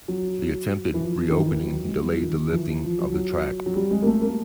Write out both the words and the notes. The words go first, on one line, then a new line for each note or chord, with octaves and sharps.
The attempted re-opening delayed the lifting of the track.
F#3
E3
F3
D#3
E3
F#3
G#3
G3
F#3
F3
D#3
F3
E3
F3
F#3
F#3
F#3
G3
G#3
A#3
A3
A#3